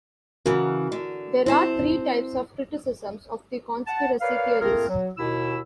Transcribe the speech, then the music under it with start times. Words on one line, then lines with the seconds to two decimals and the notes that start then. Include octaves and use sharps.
There are three types of criticisms of the conspiracy theories.
0.46 C#3 E3 F#4 A#4
0.92 D3
1.46 C4 E4 C5 A5
3.86 F#5 A5
4.21 A#4 B4 C#5 D5 F5
4.61 A3 A#3 C4 F4 G#4 A#4
4.88 F#3
5.18 D#2 B2 E4 E6